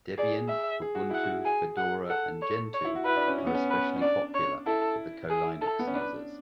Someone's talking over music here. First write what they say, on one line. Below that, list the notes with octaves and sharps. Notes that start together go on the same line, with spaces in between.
Debian, Ubuntu, Fedora and Gentoo are especially popular with the coLinux users.
G#4 D5
E5
G#4
F#4
E4 F#5
F#4
G#4 G#5
F#5
A4 F#5
C#5
C#5
E4
F#4
E4 B4
D4
C#4
C#4
B3
C#4
B4
C#4
D4 D5
C#5
E4 A4
G#4
A4
B3
C#4
D4 B4